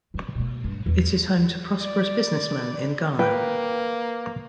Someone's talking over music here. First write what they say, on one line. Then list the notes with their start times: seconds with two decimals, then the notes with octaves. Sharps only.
It is home to prosperous business men in Ghana.
0.14 E3 C4
0.35 B2 A#3
0.64 G2 A3
0.86 E2
1.82 D5
3.19 A#3 B4 G5